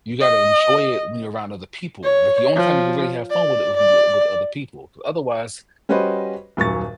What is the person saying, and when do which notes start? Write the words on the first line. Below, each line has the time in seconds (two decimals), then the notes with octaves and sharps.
you gotta enjoy it when you're around other people, like, the only time you can really have fun with it was when you uh, with other people. Otherwise,
0.20 D#5
2.04 C#5
2.56 F3
3.31 D5
3.77 D5
5.89 G3 C#4 F#4 B4 C5 D#5
6.57 D#1 F#2 C#6 A6